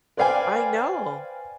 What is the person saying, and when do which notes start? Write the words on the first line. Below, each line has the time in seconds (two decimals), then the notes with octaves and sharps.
I know.
0.17 B4 C5 D5 F5 G5 G#5